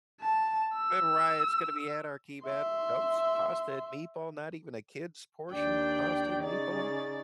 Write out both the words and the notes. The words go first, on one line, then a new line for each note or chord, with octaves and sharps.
The riot's gonna be anarchy, man, "Those pasta and meatball not even a kid's portion of pasta and meatball?"
A5
E6
E5 C6
D#2 D4 D5 G5 G6
C#3 D#4 G#4 D5 A6